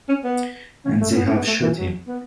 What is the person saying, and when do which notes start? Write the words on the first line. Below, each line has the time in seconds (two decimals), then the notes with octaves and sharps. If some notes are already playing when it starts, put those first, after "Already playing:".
And they have shot him.
0.08 C#4
0.24 B3
0.85 C#4
1.01 A3
1.11 C#4
1.16 B3
1.26 C#4
1.36 B3
1.47 A3
1.62 E3
1.77 F#3
2.08 B3